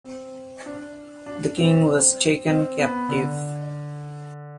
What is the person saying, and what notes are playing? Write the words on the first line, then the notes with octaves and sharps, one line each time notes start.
The king was taken captive.
C4
D4
D4
C4
C4
B3
D3